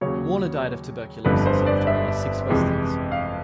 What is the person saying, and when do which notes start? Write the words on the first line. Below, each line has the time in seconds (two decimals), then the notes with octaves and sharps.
Warner died of tuberculosis after only six Westerns.
0.01 D#2 C#3 F#3 C#5
1.25 G1 F2 D3 G3 B4
1.46 C5
1.66 D5
1.87 E5
2.49 F2 C3 E3 G#3
3.12 F5